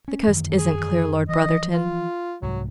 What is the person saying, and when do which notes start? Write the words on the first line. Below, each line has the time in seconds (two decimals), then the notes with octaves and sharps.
"The coast isn't clear, Lord Brotherton."
0.08 C#4
0.27 F#2 D#3 E3
0.58 G#4
1.29 E3 F3 D#5
1.72 F4
2.42 C2 G#2 F#3